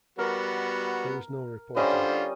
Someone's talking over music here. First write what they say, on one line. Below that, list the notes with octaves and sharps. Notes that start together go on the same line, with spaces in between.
There was no reporting.
G3 B3 F#4 A#4
D3 G3 C#4 F4 C5 D#5